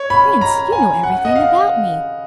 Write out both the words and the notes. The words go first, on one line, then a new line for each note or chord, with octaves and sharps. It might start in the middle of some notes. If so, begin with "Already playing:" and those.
"Prince, you know everything about me."
Already playing: C#5
B5
A#5
G#5
F#5
D#5
F5